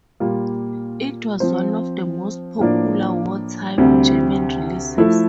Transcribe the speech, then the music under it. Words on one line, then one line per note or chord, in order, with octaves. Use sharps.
It was one of the most popular wartime German releases.
A#2 G3 A#3 F4
F3 C4 F4 C5
A2 F3 A#3 D4
D2 C3 G3 C4
F3 A3 E4 A4